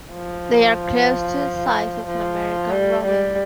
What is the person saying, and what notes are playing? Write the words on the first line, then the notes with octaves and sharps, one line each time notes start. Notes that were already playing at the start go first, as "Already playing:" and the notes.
They are close to the size of an American robin.
F3
F3
G3
G3